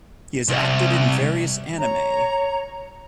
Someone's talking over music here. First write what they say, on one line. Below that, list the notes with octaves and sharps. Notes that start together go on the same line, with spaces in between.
He has acted in various anime.
C2
C#5 A#5